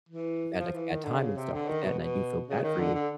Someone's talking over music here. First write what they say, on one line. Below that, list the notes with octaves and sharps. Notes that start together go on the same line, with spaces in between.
you've had, like, a bad time and stuff like that, and I do feel bad for you.
E3
F3
E3
D#3
D3
C#3
C3
D3
D#3
B2
B2
C#3
D#3
D3
D3